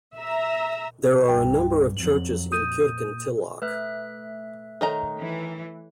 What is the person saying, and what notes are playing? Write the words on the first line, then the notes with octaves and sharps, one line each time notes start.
There are a number of churches in Kirkintilloch.
E5 A#5
C2 G2 G5
F2 F3 F#3 F#7
A#2 D#6 G6 D#7
A3 B4 E5 F#6
D#3 A4 C#5 D#5 A#5
E3